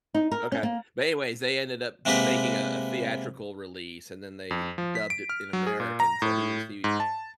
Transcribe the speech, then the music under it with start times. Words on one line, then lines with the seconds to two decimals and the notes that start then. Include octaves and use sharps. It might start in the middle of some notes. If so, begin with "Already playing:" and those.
Okay. But, anyways, they ended up making a a theatrical release, and then they dubbed it in American, so, he was the
0.14 D#4
0.31 A#4
0.52 C#4
0.63 A#3
2.05 C3 G#3 A#3 B3 G4 B4
4.51 F2
4.78 F3
4.95 B6
5.10 D7
5.29 F6
5.53 F#3
5.67 G#4
5.80 A#2
6.00 A#5
6.22 A2
6.84 G#2
7.00 A5